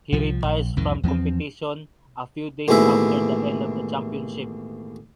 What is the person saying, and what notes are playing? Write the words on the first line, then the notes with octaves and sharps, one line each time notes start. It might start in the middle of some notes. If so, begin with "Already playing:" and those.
He retires from competition a few days after the end of the championship.
C2 F3
A#1
C2 F2 G#2 D#3
E2 F3 A3 C4
A1 D#2 B2 G#3 E4 E5